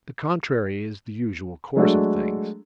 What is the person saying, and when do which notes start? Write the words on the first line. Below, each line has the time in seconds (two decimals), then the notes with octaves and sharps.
The contrary is the usual course of things.
1.76 F#3 G#3 A3 D4 F#4 A4